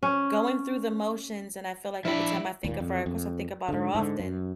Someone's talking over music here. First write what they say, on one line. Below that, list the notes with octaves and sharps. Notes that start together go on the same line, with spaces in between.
going through the motions, and I feel like every time I think of her of course, I think about her often.
C#4
F3 D4 E4 B5
D#2 A#2
F2
F2
G#2 D3
G#2 D3
F#2